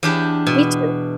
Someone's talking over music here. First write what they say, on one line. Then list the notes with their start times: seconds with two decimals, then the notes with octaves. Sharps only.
Me too.
0.03 E2 D4 G4
0.47 B2